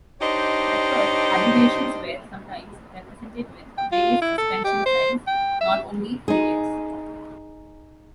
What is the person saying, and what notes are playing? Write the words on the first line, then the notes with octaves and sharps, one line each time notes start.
At first, abbreviations were sometimes represented with various suspension signs, not only periods.
D4 D#4 G4 C5 C#5 D#5
G5
F4
E4
A4
G4
C5
G5
E5
D#4 G#4